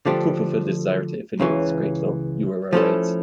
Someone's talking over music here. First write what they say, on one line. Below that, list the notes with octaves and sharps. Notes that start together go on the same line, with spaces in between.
We could fulfill the desire to affiliate with this great club, Urawa Reds.
D3 F3 A3 D4 G4
C#2 C#3 E3
F3 A3 C#4 E4 A4